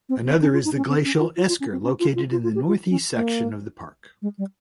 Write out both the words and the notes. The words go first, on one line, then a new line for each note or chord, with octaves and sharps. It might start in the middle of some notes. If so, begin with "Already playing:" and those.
Another is the glacial esker located in the northeast section of the park.
C4
C4
C#4
F4
D#4
C#4
C4
C#4
F4
F4
F4
C#4
C4
C#4
F4
F4
F4
F4
G4
F4
C#4
A#3
G#3
G3